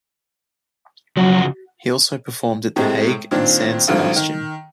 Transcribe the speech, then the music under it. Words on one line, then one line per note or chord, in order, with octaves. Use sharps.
He also performed at The Hague and San Sebastian.
C#3 F3 F#3 F#4
A2 C3 G#3
A#2 D#3 C4 D4
G#1 D2 G2 F3
D#3